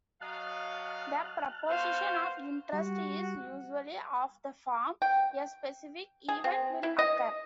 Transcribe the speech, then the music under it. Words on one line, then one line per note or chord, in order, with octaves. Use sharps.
The proposition of interest is usually of the form A specific event will occur.
F#3 D#5 F5 A5 F6 F#6
B3 F#4 C5 F5
G3 F#4
G5
G#4
C4
E4
D#5